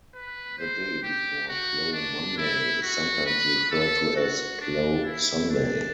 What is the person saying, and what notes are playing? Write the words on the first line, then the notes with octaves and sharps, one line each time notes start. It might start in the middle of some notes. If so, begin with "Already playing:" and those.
The day before Plough Monday is sometimes referred to as Plough Sunday.
B4
C5
G4
F#4
D4
E4
F#4
B4
A4
F#4
D4
E4
D4